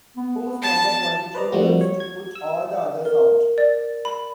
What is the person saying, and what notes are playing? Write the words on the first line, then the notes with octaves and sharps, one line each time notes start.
Who’s number twenty-two, that’s to put all the others out?
B3
A5
B4 C5 D5 D#5 A#5
F3 G3 A3 A#3 C4 F#4
C#5
G#6
E6
A#4
D5
B5